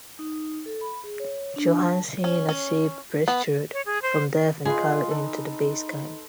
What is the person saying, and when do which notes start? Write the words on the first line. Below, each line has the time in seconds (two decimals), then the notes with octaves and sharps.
Johansen had saved Prestrud from death and carried him to the base camp.
0.19 D#4
0.66 A4
0.81 B5
1.04 G#4
1.20 C#5
1.56 D4
1.80 A5
2.24 C#4
2.49 C#4
3.28 B3
3.73 C#5
3.86 G#4
4.02 C5
4.65 F4 G#4 B4 D#5 C6
5.11 D#4 A4